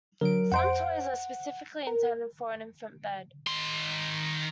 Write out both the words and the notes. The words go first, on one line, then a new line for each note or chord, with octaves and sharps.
Some toys are specifically intended for an infant bed.
D3 F#3 A#4 D7
F2 C5 F#5 D7
A#4
D#3 C6